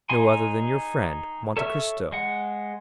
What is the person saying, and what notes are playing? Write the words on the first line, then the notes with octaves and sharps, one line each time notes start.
"No other than your friend, Monte Cristo."
D#4 G#4 G#5 C6
A4 C#5 E5 C#6 F6
G#3 F#5